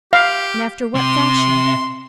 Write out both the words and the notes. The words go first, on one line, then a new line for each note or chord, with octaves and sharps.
"And after what fashion?"
G4 F5
C3 C6